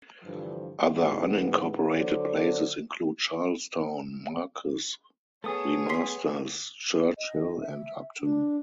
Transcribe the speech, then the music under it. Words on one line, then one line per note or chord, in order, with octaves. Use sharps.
Other unincorporated places include Charlestown, Markes, Lemasters, Church Hill, and Upton.
G2 D3 E3 F3
G#2 D3 E3 G3 B3
D3 F#3 A4 C5 D5
A3 B3 G#4 A4 C#5 D#6
C6 B6 C7
D#5
E5
D4